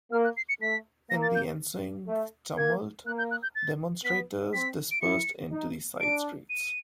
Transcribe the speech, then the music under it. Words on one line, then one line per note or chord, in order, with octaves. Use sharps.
In the ensuing tumult, demonstrators dispersed into the side streets.
A#3 F6
F#6
C7
C#7
A3 B6
A#3 A#6
A6
G6
A3
A#3 G#6
A#3 F#6
G6
F#6
G6
A6
B3 B6
C4 B6
D7
E4 C#7
D#4
D4 D7
D#7